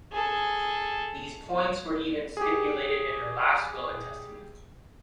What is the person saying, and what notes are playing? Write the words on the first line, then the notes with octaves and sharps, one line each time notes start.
These points were even stipulated in her last will and testament.
G#4 A4
G4 G#4